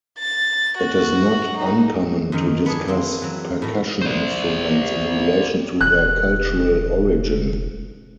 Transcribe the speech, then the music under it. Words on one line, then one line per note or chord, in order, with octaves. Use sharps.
It is not uncommon to discuss percussion instruments in relation to their cultural origin.
A6
F#4
D#4
F#2 D#3 F#3
B3 D4 G#4
A#3 C4
E3 F#3
A2 A#5
C5 D5
E1 F#6